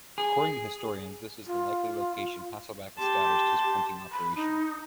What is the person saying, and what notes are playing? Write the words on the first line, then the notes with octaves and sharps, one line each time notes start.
According to historians this is the likely location Hasselbach established his printing operation.
G#4
F4
G4 A5 C6
B5
D#4